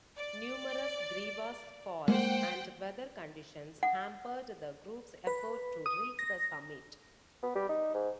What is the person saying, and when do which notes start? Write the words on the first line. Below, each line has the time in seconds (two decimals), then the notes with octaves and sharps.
Numerous crevasse falls and weather conditions hampered the group's efforts to reach the summit.
0.16 D5
2.08 G#3 A#3 C5 F#5 G5
3.83 F#5
5.27 B4
5.86 D#6
6.19 A#6
7.43 B3
7.55 G3
7.69 D#4
7.94 G#2